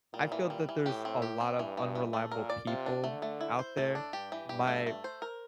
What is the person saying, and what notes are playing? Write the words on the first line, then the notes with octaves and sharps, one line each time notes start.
I feel that there's a lot of unreliable people out there. My
A#2 G3
E3
G3
E3
A2 G4
C4
G4
C4
G2 E3
E3
E3
A3
A#2 A#4
D5
C3 F4
D4
D3 A3
A3
E4
C5
A2 A3
D4
G2 G4
E3
G2 G4
A3
A3
C5
A#4